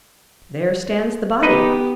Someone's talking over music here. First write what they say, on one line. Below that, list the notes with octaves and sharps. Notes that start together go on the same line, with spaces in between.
There stands the body!
B3 D#4 G4 B4 D#5